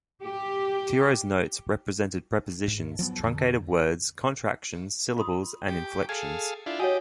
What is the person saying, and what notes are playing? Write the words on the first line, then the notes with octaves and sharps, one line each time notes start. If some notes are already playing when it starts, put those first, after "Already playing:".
Tiro's notes represented prepositions, truncated words, contractions, syllables, and inflections.
G4
G#2
F3 F#3 A3 B3
F2 D3
F4 C6 D#6
G4
G#4 A4 F5 G#6
D4 E4 F4
F#4 G4 C#5 D#5 F#5 G#5